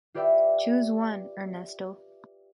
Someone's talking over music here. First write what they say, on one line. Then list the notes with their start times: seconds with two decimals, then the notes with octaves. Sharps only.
Choose one, Ernesto.
0.14 F4 G4 B4 D5 E5 G5